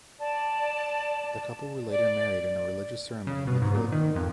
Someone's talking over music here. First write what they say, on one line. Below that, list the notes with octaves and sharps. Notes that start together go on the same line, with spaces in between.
The couple were later married in a religious ceremony in Madrid.
D5 A5
D5
C#3
B2
G#2
A#2
D#3
F2